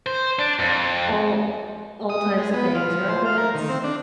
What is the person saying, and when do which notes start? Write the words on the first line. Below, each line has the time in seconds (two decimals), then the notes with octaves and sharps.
all all types of things, rabbits,
0.06 C5
0.39 D4
0.59 F2
2.10 D#6
2.38 G#3
2.54 B3
2.75 F4
2.88 F3
3.09 C5
3.25 F5
3.38 A#4
3.55 D#3
3.69 C4
3.84 D4